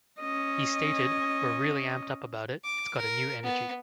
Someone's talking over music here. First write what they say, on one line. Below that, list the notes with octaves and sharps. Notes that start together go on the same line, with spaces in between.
He stated, We're really amped-up about it, it's got a new energy.
C#4 D#5
D6
A#4
B3